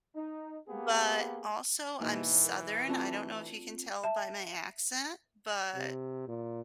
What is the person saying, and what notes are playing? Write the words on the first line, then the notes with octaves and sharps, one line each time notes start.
but, also, I'm Southern, I don't know if you can tell by my accent, but
D#4
A#3 B3 G4 G#4
G#2 B2 E3 A#3 C6
A#4
A3 C4 D4 F4 F#4
E5 A5
C3
A#2